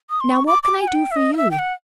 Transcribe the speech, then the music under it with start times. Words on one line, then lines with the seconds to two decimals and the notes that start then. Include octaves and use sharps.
"Now what can I do for you?"
0.10 D#6
0.20 C6
0.31 C#6
0.47 D6
0.63 D6
0.80 G#5
0.88 F#5
0.95 G5
1.11 E5
1.16 D#5
1.34 F5
1.37 E5
1.51 G5
1.59 F#5